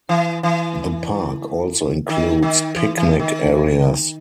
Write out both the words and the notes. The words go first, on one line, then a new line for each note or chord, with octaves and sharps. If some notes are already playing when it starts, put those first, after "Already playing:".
The park also includes picnic areas.
E3
E3
D#3
D#3
E3
E3
D#3